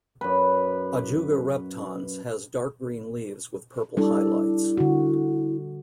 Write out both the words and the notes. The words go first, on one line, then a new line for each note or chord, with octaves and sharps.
"Ajuga reptans" has dark green leaves with purple highlights.
F#2 B4
G3 D4 E4 A4
D3 F#4